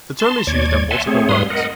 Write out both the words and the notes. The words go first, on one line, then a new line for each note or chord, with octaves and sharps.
The term is used on multiple levels.
A5 C6
D#2 C#5 D5 G#6
E5 F#5 G#5 A5 C6
A3 C4 G#4 C#5
G#2 G3 B4 F5 C6 D#6
A#4 D#5 F#5